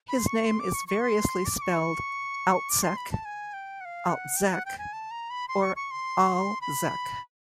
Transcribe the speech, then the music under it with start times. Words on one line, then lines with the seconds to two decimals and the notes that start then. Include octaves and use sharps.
His name is variously spelled Altsek, Altzek, or Alzec.
0.09 B5
0.18 C6
0.27 C#6
0.46 C6
0.59 D6
0.74 C#6
0.88 C#6
1.01 C6
1.45 D6
1.57 D6
1.62 C#6
2.69 D6
2.83 C6
2.97 B5
3.12 A5
3.25 G#5
3.53 G5
3.81 F#5
3.85 F5
4.09 F#5
4.37 G5
4.51 F#5
4.66 G5
4.78 G#5
4.93 A5
5.11 A#5
5.30 B5
5.48 C6
5.62 C#6
5.76 C#6
5.91 C6
6.61 B5